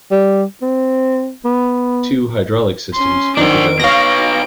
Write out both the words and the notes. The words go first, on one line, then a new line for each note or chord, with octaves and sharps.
Two hydraulic systems feed the gun.
G3
C4
B3
C#4 C6
D#3 D4 C5 D7
B2 C#5 F5 A#6